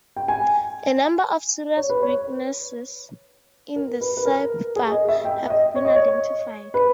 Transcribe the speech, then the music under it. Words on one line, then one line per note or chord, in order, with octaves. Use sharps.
A number of serious weaknesses in the cipher have been identified.
G5
G#5
C#5
B4
C#5
A#4
B4
B4
A#4
G#4
D#5
E5
G5
D#5
C#5
D#5
C#5
B4